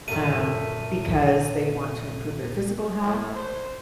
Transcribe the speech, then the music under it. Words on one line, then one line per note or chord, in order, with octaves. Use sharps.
um, because they want to improve their physical health.
F#2 A#2 A3 A4 D#7
A2
C5